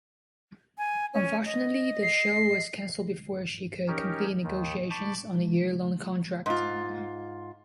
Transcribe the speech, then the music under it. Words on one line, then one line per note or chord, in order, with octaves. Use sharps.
Unfortunately, the show was canceled before she could complete negotiations on a year-long contract.
G#5
C#4
D#5
C7
C#4 D#4 G4 A#4 C#5
D#2 D#3
A5 B5 C#6 D6 G6
G#2 F4